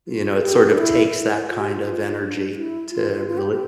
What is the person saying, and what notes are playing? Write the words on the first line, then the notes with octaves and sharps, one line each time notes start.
You know, it sort of takes that kind of energy to really
F4
A4
G4
D4
E4
E4
F4
G4
F4
F4
D4
E4
F4
F4
F4
G4
G4